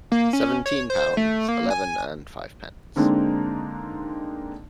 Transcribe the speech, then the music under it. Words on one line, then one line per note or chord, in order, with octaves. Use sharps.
Seventeen pounds eleven and fivepence.
A#3
C#4
C#5
C5
A3
A#3
G#5
D3 G#3 A#3 C4 D4 D#4